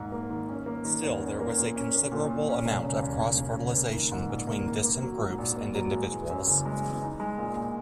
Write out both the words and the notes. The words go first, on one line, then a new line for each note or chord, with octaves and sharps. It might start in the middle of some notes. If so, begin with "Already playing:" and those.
Still, there was a considerable amount of cross-fertilization between distant groups and individuals.
Already playing: G#1 G#2 D#3 A#3
A#3
D#3
C#4
A#3
D#3
E2
C#4
A#3
A#2
C#4
A#3
A#2
A#2
C#4
E1
C#3
D#2
E1
E1
C#3
A#3
D#3
G#2
A#1
A#3
D#3
A#3
F#3
G#2
A#1
A#3
F#3
G#3
E3
F#2
F#1
G#3
E3
D#4
G#3
A#2
A#1